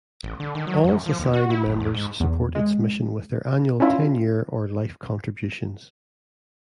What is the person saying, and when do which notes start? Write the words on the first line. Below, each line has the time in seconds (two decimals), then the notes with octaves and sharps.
All society members support its mission with their annual, ten-year or life contributions.
0.23 A1
0.40 D3
0.55 D#3
0.67 F#3
0.84 F#2
1.06 F3
1.19 D#2
1.33 F#4
1.50 E4
1.66 F#1
1.80 E2
1.95 G#2
2.20 E2
2.55 G#3
3.80 C#4 D4 E4 F4